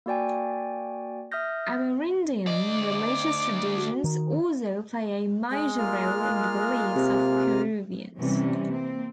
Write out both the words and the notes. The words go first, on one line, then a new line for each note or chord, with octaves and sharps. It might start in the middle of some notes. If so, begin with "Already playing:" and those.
Amerindian religious traditions also play a major role in the beliefs of Peruvians.
A#3 F#4 D5 G5 G#5
E5 D#6 F6 G6 A#6
D2 D5 D#5
D6
F#4
D#3
G#3
A#3 F4 F6
C3
C3 E3 G3 C#4
A#3 C4